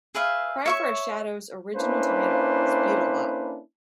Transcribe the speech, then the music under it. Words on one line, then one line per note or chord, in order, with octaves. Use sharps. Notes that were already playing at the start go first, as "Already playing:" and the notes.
"Cry for a Shadow"'s original title was "Beatle Bop".
G#4 B4 E5 F5
C#5 E5 C#6
A#3 C#4 D4 E4 B4 C5